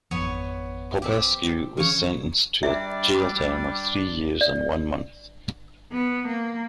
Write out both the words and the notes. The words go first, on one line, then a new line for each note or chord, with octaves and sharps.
Popescu was sentenced to a jail term of three years and one month.
G#1 F2 F3 B3 C#5
C4 G4
C#3 E3 F3 C#5
G3 D4 D5 E5
D5
B3
A#3